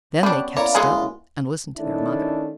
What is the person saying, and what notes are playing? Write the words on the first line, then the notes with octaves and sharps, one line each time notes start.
Then they kept still and listened to their mother.
D3 G3 B3 C#4 D4
A#3 E4 C#5 D5 A#5
D3 F#3 G#3 F4 G#4
D#3 A3 C#4 D4 E4